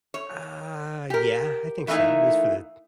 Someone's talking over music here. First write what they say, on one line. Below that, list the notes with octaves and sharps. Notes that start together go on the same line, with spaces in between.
Uh, yeah, I think so, at least for the
C#5
G4 A#4
E3 A3 A#3 C4 D#4 E4